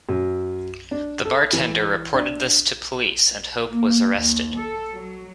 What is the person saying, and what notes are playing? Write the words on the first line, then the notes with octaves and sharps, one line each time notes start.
The bartender reported this to police and Hope was arrested.
F#2
D4
A4
E3
D4
A#3
D#2
A4
F#3